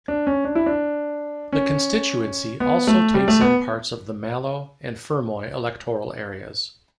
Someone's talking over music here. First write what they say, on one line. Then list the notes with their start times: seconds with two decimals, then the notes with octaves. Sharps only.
The constituency also takes in parts of the Mallow and Fermoy electoral areas.
0.08 D4
0.27 C#4
0.45 D4
0.55 E4
0.66 D4
1.52 C#4
2.60 B3
2.87 A3
3.14 G3
3.28 A3
3.41 B3